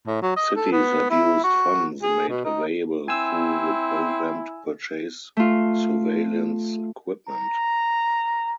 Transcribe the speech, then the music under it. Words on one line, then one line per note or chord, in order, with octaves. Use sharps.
Cities have used funds made available through the program to purchase surveillance equipment.
A2
F#3
D#5
A4
B3
E4
F#4
G#4
B2
D#4
C4 E4 G#5 E6
A3 F4
A#5